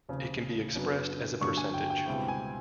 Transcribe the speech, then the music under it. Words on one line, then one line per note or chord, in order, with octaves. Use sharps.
It can be expressed as a percentage.
F1 D#2 C#3 F3
F#2 C#3 F#3 B3 D4
G2 D3 F#3 A#3 D4 C#6
G#5
G5
G5
C#2 B2 G3 C4 E4 G5
G#5